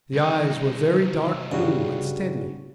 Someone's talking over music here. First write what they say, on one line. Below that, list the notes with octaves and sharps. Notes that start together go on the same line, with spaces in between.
The eyes were very dark blue and steady.
C2 D#4
G2 C#3 F#4